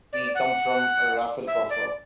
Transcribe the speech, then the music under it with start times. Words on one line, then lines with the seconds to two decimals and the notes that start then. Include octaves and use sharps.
We come from Rafelcofer.
0.13 D5
0.35 F#5
1.47 E5
1.70 D5